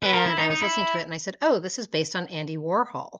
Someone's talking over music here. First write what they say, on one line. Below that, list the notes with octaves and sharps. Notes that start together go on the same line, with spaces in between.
and I was listening to it and I said, "Oh, this is based on Andy Warhol."
B4
A#4
E4
D#4
D#4
E4